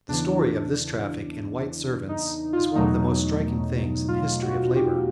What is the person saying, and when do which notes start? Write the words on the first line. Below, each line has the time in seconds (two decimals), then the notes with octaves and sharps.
The story of this traffic in white servants is one of the most striking things in the history of labor.
0.08 E2 C#3 E3 D4
2.09 D#4
2.53 F4
2.75 E2 B2 F#3 A3 D#4
4.08 F4
4.42 F#4
4.76 G4